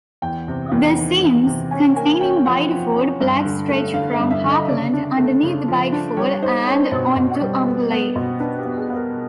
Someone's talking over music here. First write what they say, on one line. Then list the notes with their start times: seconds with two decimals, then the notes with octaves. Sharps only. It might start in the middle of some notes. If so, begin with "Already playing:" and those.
The seams containing Bideford Black Stretch from Hartland, underneath Bideford, and onto Umberleigh.
0.22 E2 G5
0.48 C3
0.72 E2
0.97 D#3
1.21 E2
1.47 C3
1.71 C#4 G#5
1.96 A#3 G#5
2.21 C#4 G5
2.45 F3 F#5
2.71 F3
2.96 C#4
3.20 G2
3.45 D3
3.69 A3
3.94 D3 F5
4.13 E5
4.19 G2
4.31 E5
4.44 D3
4.50 D#5
4.68 C#3 D5
4.94 D4
5.18 A3
5.43 C#3
5.68 F3
5.92 D4
6.17 G3 C#5
6.42 D#4 C5
6.66 C4 C#5
6.91 B2 C5
7.16 B2
7.41 G3
7.66 B3
7.91 B3
8.16 B2
8.40 D4 B4
8.58 G4
8.65 B3
8.77 G#4
8.90 B3
8.96 A#4